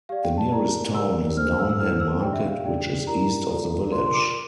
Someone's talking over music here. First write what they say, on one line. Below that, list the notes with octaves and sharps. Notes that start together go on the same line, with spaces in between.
The nearest town is Downham Market which is east of the village.
G4 D5 F5
G5
A5
E4 A#4 D5 A#5
G4 A#4 D5 E6
D4 A4 C5 F6
E6
E6
E4 A4 C5 F6
E6
D4 G4 D5 G5
E5
F5
D4 G4 D5 G5
E4 G4 A#4 D5 A#5
F4 A4 D5
F4 A#4 D5 C6
C6
D6